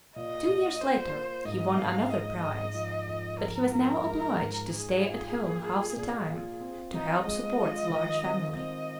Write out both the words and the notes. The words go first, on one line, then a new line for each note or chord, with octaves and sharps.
Two years later, he won another prize; but he was now obliged to stay at home half the time to help support the large family.
A#2 D#5
A#2
F4 C5
A#3
G#2 D#5
G#2 F5
G#3 D#5
G#2
F3
F2
F2 A#4
F3
G#3
G#2
G#2 G#4
F4
A#3
F4
A#2
F4
C4
C4 D#4
G#3 D#5
F4
D#3
C4
C4 D#5